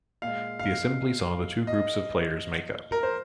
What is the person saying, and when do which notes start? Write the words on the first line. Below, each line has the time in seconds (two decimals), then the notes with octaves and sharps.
The assembly saw the two groups of players make up.
0.22 A#2 F5
0.27 G#3
0.59 F5
1.67 D#5
2.92 A#4
3.03 C5